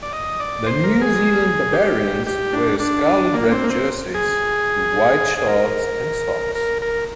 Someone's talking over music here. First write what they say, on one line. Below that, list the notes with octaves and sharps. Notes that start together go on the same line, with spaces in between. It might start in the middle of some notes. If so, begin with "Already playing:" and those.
The New Zealand Barbarians wear scarlet red jerseys with white shorts and socks.
D5
D#5
D5
C5
A#4
G#4
G4
G4
D4
D4
A#3
C4
A#3
C4
G#4
G#4
A#4
A#4
A#4